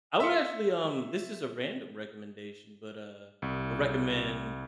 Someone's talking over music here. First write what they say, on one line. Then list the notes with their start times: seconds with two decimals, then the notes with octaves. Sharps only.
I would actually, um this is a random recommendation, but, uh, I recommend
0.20 E5 C6 C#7
3.42 C2